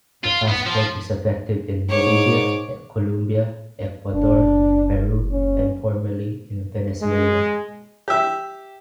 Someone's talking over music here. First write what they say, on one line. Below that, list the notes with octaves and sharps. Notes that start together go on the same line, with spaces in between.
The passport is effective in Bolivia, Colombia, Ecuador, Peru and formerly, in Venezuela.
F4
B3
F3
G#2 C#5 D6
F#1 D4
C#4
G#3
G4 E5